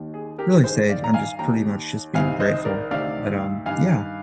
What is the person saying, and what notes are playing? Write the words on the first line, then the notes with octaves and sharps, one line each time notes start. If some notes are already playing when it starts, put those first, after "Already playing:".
really say, I'm just pretty much just being grateful, but, um, yeah,
Already playing: D#2 D#3
G#4
G4 A#4
G2 D#3 G#4 C5
D5 F5
A#5
F5 G#5
D#2 D#3 G5 A#5
C2 C3 D#3 F5 G#5
C5 D#5
A#4 D5
D2 C3 D#3 D5 F5
G2 D#3 F5 G#5